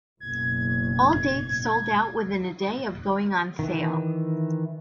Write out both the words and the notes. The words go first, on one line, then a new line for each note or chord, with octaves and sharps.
All dates sold out within a day of going on sale.
F#1 B2 G#6
D#3 E3